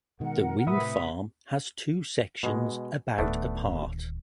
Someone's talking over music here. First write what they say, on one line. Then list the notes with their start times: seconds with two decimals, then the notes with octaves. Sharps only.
The wind farm has two sections about apart.
0.20 B2 D#3 G#3 A#4 F#5
0.67 A2 C3 B4 E5 B5 D#6
2.43 B2 G#3
3.18 D1 D#3 A3 B3 D4